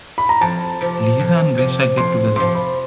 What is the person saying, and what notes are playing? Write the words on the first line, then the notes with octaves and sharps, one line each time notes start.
Liza and Grisha get together.
B5
A#5
F2 A5
C3 F3
F2
C3 F3
F2 C6
C3 F3 C6
B5